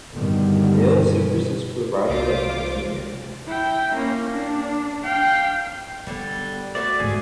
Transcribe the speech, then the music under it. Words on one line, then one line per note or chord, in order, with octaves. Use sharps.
Mail service is provided at Makinen.
G2 B2 D3 D#3 G3
C2 C3 F4 C5 D6
E4 G5
A#3 C#4
D4
F5 G5
D3 G3 B3
A3 F#4 C5 D5
E2 G#2 G#4